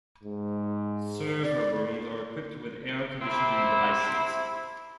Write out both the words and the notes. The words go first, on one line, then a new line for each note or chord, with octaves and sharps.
Server rooms are equipped with air conditioning devices.
G#2
D5
C3 C4 E4